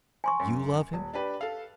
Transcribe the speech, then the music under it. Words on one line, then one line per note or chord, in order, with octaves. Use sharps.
'YOU love him?
G#5 C6 C#6
F#2
D#1
D4 G4 B4
A4 F5